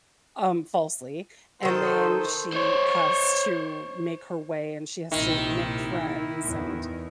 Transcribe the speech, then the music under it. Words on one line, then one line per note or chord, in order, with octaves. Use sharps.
um, falsely and then she has to make her way and she has to make friends and,
D#3 D#4 A4 C5
C5 C#5
A#1 C3 D#3 E4
E2